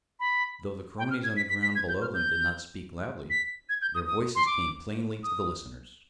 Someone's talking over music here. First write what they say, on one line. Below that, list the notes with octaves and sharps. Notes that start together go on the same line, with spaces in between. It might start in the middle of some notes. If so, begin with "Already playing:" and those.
Though the cronies on the ground below them did not speak loudly, their voices came plainly to the listeners.
B5
G5
F6
G#6
B6
B6
B6
G#6
G6
F6
G6
B6
G#6
G6
D#6
D#6
C6
D6
D#6